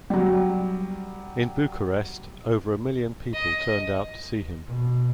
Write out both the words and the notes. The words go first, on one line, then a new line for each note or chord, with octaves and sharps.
In Bucharest over a million people turned out to see him.
F#3 G3
D#5
B2